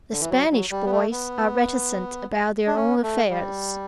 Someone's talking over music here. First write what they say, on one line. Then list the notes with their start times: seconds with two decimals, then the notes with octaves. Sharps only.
The "Spanish boys" are reticent about their own affairs.
0.12 D3
0.21 E3
0.30 F#3
0.51 F#3
0.71 G3
0.86 B3
0.91 A3
1.12 B3
2.67 D4
2.76 C#4
3.03 A3
3.30 G3